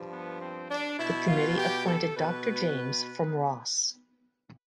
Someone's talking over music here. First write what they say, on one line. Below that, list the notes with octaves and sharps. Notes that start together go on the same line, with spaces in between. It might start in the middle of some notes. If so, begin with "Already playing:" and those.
The Committee appointed Dr James from Ross.
Already playing: G2 F3
B3
C4
D4
B2 E4
F4
G4
A4
B2 B4